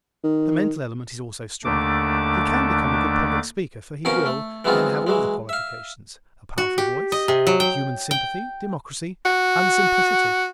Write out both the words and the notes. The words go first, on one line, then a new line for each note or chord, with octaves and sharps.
If the mental element is also strong he can become a good public speaker for he will then have all the qualifications--a powerful voice, human sympathy, democracy and simplicity.
D#3
D#2 D3 A3 D4 D6
F2 B2 C#4 A#4 F5
A3
E3 F#3 G#3 B3 C4 F4
E3 F#3 G#3
E5 F5
F#4
G4
D#5
C3
F#3
G5
G5
F#4